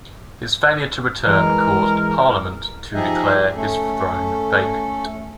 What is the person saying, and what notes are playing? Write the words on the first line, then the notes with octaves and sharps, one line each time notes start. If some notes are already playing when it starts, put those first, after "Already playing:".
His failure to return caused Parliament to declare his throne vacant.
E3 G#3 A#4
F3 D#4 G4 G#4 D#5 E5
A3 C#4 A4